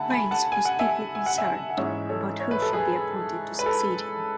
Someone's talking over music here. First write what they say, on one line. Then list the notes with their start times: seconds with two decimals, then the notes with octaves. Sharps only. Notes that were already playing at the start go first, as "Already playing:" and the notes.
Raynes was deeply concerned about who should be appointed to succeed him.
Already playing: D3 A3 E5 F#5 G#5 A5 B5
0.10 G#5 B5
0.31 F#5 A5
0.52 G#5
0.65 F#5
0.79 E5 G#5
1.15 G#5
1.26 F#5
1.38 E5 G#5
1.70 F#5
1.77 G#2 E3 G#3 C#4 C#5 E5
2.09 A4 C#5
2.40 C#5
2.51 B4
2.62 A4
2.73 G#4 B4
3.59 B4
3.66 A4